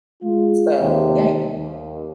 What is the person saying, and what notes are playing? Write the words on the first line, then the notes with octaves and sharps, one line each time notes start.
so, yeah, you could
G#3 F4
D#2 C3
D#2